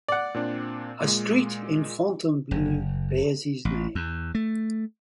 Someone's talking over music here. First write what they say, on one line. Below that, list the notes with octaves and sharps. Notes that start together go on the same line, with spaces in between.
A street in Fontainebleau bears his name.
D5 F#5
A#2 C4 D4
A#2 G#3
F#1
A1
E2
A3